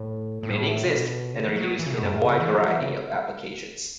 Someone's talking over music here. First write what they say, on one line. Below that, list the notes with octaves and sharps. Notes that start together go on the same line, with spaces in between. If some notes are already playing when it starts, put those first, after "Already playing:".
Many exist and are used in a wide variety of applications.
Already playing: A2
A2
C#3
B2
C#3
E3
F#3
E3
C#3
B2
F#2
A2
C#3
E3
F#3
E3
C#3